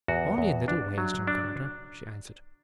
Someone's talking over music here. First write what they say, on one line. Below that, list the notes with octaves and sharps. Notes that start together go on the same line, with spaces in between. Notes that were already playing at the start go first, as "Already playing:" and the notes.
"Only in little ways, John Carter," she answered.
E2 F#4
E2
D4
F#3
D4